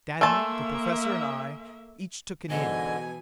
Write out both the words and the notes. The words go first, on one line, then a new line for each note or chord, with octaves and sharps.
Stanley, the Professor and I each took an end.
A3 A#3 E5 G#5 A5 C6 E6
G#2 B2 D3 E3 D#5 G#5